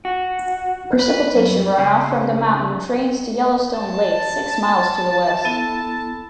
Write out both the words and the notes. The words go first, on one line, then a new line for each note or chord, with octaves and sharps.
Precipitation runoff from the mountain drains to Yellowstone Lake six miles to the west.
F#4
B4
F#2
C#3
A5
B3 E4 A4